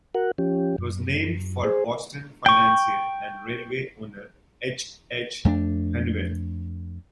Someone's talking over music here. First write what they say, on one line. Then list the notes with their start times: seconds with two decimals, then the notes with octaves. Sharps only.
It was named for Boston financier and railway owner H. H. Hunnewell.
0.15 F#4 A#4 F#5
0.38 F3 C#4 G4
0.78 F#2
1.64 G#4 C5
2.46 G5 C#6
5.45 F2 A3 B3 D4